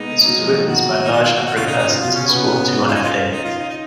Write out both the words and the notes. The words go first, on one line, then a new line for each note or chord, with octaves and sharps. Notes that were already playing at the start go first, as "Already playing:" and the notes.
This was witnessed by a large number of persons and sworn to on affidavit.
Already playing: G#3 A#3 B3 D#4
F#3 A#3
F3 G#3
D#3 F#3
B2 D#3 F#4
D#4
F4
F4
F#4
F#4
C#3 F4
D#4
C#3 D#4
F4
B2 F4
C#3
B2 C#4
C#3
B2 B3
C#3
B2
C#3
B2
C#3 F4
D#4
F4
D#4
F4
D#4
D#4